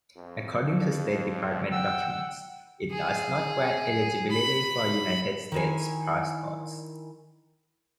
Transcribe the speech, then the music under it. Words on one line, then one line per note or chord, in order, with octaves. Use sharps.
According to State Department documents, it does not grant eligibility for United States passports.
F2
F#5 G5 E6
G#4
B5
D#3 E4 G#5